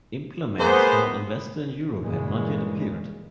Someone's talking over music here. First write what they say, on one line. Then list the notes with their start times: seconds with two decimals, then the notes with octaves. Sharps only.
Implements found in western Europe had not yet appeared.
0.58 G#3 A#3 B3 C5
1.99 G2 A#2 C#3 E3 G#3